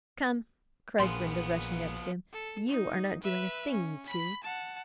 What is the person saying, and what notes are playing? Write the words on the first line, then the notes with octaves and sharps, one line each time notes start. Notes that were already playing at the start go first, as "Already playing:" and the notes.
"Come," cried Brenda, rushing up to them, "you are not doing a thing, you two."
A#1 F3 A#3 B3 G#4 C6
A4
D#4
B4 E5
C#4
B5 B6
F#5 A5